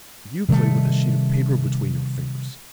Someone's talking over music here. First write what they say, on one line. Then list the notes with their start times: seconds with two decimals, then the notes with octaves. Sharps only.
You play with a sheet of paper between your fingers.
0.49 C3 D#3 G3 A3